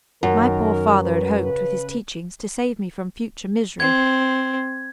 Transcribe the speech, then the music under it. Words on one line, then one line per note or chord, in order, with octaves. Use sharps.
My poor father had hoped, with his teachings, to save me from future misery.
F#2 D#3 A#4
B4
C#3 B4
C4 G#6